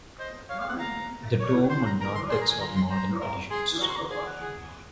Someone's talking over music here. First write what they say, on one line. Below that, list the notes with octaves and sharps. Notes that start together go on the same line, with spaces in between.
The dome and narthex are modern additions.
C5 D#5
C#5 F5
F5
F#5
F5 A#5
C#5
C5 C6
A#5
A#4 A#5
C6
G#4 C6
A#5
G#5
F4 A#5
C6
C5 A#5
A#4
G#4 C6
F#4 A#5
C6
A#5
G#4 G#5
F#5
G#4